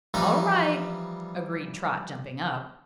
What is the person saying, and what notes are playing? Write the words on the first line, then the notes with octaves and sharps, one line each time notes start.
"All right," agreed Trot, jumping up.
E3 F3 G3 D#4